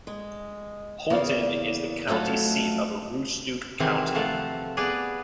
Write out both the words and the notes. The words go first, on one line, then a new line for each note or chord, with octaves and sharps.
Houlton is the county seat of Aroostook County.
G#3
E2 C#3 A#3 D5
F2 F#3 A3 F5 A5
C3 D#3 E3 F#3 G#3 C4
F3 A3 F5 F#5 A5
B3 G#4 B4 D5